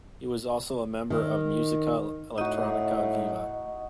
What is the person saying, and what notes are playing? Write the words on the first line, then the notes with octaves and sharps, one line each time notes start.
He was also a member of Musica Elettronica Viva.
D#3
A2 D#4 F#4 D#5